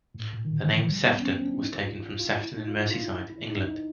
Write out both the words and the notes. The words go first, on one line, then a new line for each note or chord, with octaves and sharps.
The name Sefton was taken from Sefton in Merseyside, England.
A2
A#2
D#3
D3
E3
F3
G3
B3
C#4
C4
C#4
D4
E4
D#4
F4
E4
F4
E4
D#4
F4
E4
F4
E4
E4
D#4
D#4